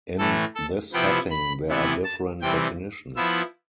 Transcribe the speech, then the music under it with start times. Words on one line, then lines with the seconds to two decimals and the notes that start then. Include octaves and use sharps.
In this setting there are different definitions.
0.19 A2 E3 A3 A4
0.55 A4
0.93 C3 F3 B3 E4 G5
1.30 B5
1.68 C3 E3 B3 E4
2.04 A5
2.41 C3 E3 G3 C4 G5
3.16 F3 B3 E4 E5